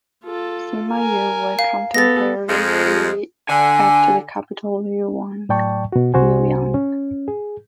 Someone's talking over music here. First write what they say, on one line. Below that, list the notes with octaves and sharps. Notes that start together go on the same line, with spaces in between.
Sima Yue welcomed Emperor Hui back to the capital Luoyang.
F4 A4
A#4 G#5
F5
B3 A4 A6 A#6
F2 F3 G#3
D3 G#5
A2 F#3 D5 G5 A5 C#6
B2 F#4
C2 C3 F#4 C5 G#5
C#4
G#4